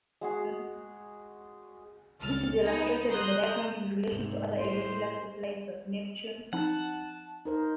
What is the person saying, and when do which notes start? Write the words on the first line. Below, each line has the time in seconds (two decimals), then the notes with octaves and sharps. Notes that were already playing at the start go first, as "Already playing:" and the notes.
This is illustrated on the diagram in relation to other irregular satellites of Neptune.
0.21 G#3 F#4 G#4
2.19 C#2 F6 A6
2.64 B3 D#4
3.09 A#5 C6 D#6 F#6 G6
4.12 G#2 C3
4.60 A2 C5
6.53 F3 C4 D#4 F#5 A5
7.45 D#4 A#4 C5